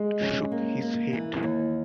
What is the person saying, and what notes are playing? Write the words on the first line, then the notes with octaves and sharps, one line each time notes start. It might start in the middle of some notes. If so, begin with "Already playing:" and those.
Shook his head.
Already playing: G#3
C#4
A#3
A#3
E3
D#2